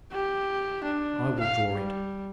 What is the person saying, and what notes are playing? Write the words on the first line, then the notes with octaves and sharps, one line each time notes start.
"I will draw it."
G4
D4
F5
G3